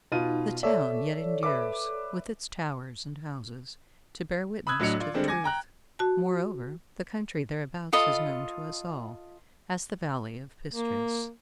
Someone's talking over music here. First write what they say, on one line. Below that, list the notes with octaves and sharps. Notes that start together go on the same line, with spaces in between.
The town yet endures, with its towers and houses, to bear witness to the truth; moreover the country thereabouts is known to us all as the Valley of Pistres.
B2 D#4 F4 D#7
A4 C#5 D5 E5
B4 E5 D6
B5 D#6 E6 F#6 G#6
A2 F#3 D4 D#5 C#7 F7
F4 D5
D3 G3 G#3 C4 D4
G#5 D6 G#6 A#6
G5 A#5 F#6
F#4 A5
F4 A4 D#5 B5
A#3